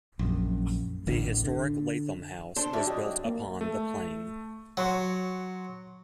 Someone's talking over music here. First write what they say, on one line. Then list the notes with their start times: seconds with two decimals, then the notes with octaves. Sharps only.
The historic Lathom House was built upon the plain.
0.19 A#1 F#2
1.07 D1 A1 D3
1.44 D3
2.56 D4 A4 C5
2.73 F#2 D3 D5 E5
2.87 G4 D#5
3.25 A#3
3.61 A3
4.77 F#3 F#5 C6 C#6